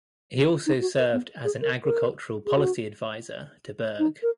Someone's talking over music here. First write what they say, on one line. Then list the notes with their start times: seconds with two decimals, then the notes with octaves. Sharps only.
He also served as an agricultural policy advisor to Berg.
0.66 D#4
0.81 F#4
0.98 A#4
1.13 B3
1.45 G#4
1.62 A#4
1.84 A#4
2.46 G#4
2.57 F#4
3.99 D#4
4.23 A#4